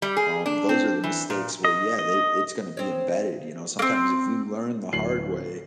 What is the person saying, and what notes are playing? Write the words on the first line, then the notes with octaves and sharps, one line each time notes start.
um, those are the mistakes where, yeah, they it's gonna be embedded, you know, sometimes if you learn the hard way,
G3
G#4
D4
C4
E3
A#2
D#5
D#5
C4 C#5
A#3 C4
D1 C7 F#7